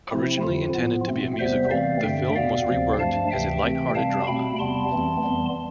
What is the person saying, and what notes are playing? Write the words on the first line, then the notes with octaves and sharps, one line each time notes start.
Originally intended to be a musical, the film was re-worked as a light-hearted drama.
C3 F3 A3 C4 E4
F2 D3 F3 F4
A2 F3 B3
B2 A3 C4
E2 C3 G3 B3 C5 E5
C3 E3 A3 C4 D5 F5
G2 D3 A3 E5 G5
E2 B2 B3 D5 F5
D2 C3 F3 C4
G2 F3 A3 F5 A5
D2 C3 E3 E5 G5
C3 E3 A3 C4
C3 G3 C4 F5 A5
B2 A3 C4 G5 B5
E2 C3 G3 B3 A5 C6
F2 E3 A3 C4
F2 E3 G3 B3